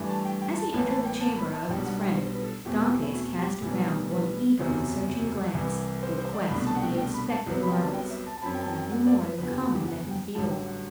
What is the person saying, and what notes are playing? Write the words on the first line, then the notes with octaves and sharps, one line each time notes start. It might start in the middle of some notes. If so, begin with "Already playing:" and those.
As he entered the chamber of his friend, Dantes cast around one eager and searching glance in quest of the expected marvels, but nothing more than common met his view.
Already playing: G2 E3 A3 D4
A5
G5
G5
A5
A1 A2 E3 B3 A5
A5
G5
A5
B5
A5
B1 B2 G3 D4 G5
F#5
G5
C5
B4
A4
E2 B2 A3 C4 G4
G4
E4
F#4
G4
B1 A2 E3 G3 D4
B4
F#1 E2 C3 F#3
C2 C3 E3
C5
C5
D5
C2 B2 A3 D4 B5
A5
F#5
G5
G5
B5
A5
C2 C3 F#3 B3
B5
G5
A5
G5
E5
A5
A5
F#2 F#3 C4 B5
G5
A5
G5
G5
F#5
D5
B4
F#1 E2 D3 B4
G4
F#4
G4
F#5
G5
A1 G2 D3 F#3 A5
G5
F#5